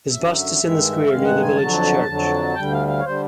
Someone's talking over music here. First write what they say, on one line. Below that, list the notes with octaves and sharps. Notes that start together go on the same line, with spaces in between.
His bust is in the square near the village church.
F#2 D3 F#3 E5
G2 D#3 G#3
G2 D#3 G#3 F5
F#5
G#5
F2 D3 F#3 A5
F2 D3 F#3
D2 D3 G3 G5
F5
F5
C#5
D3 G3 C5